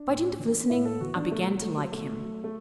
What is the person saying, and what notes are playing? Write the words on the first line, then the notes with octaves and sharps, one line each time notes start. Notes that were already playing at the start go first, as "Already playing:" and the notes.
By dint of listening, I began to like him.
Already playing: D4
A2
E3
A2 E4
A4
E3 F#4
D4
B2 A3
F#3
F#3 A3
F#3
B2 A3
F#3
A3